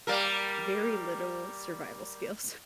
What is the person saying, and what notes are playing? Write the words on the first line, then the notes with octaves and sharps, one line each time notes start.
very little survival skills.
G3 A#3 A#4